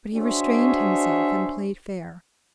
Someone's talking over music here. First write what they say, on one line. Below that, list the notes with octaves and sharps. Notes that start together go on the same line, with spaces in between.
But he restrained himself and played fair.
D4 F#4 G#4 C5 C#5 E5